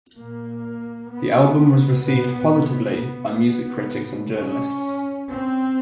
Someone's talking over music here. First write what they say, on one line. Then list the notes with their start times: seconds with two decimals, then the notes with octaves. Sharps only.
The album was received positively by music critics and journalists.
0.17 A#2 A#3
1.11 B3
2.03 A#2 B3
2.97 B3
3.90 A2
4.36 C#4
5.28 C4